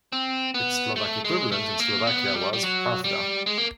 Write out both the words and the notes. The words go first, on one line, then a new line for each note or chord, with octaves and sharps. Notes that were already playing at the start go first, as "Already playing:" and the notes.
Its Slovak equivalent in Slovakia was "Pravda".
C4
B3
A3
G#3
A3
A#3
B3
G3
G3
F#3
G3
G#3
A#3